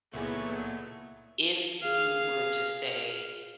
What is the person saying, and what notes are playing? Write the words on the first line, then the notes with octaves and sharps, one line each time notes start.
if you were to say,
C#2 A#2 E3 F#3 A3 B3 D#4 G#4
G#4 F5